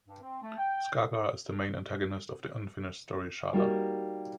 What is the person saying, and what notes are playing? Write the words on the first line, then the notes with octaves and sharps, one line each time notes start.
Skagra is the main antagonist of the unfinished story "Shada".
G2
C4
A3
G5
G3 A#3 D#4 F#4 G4 A#4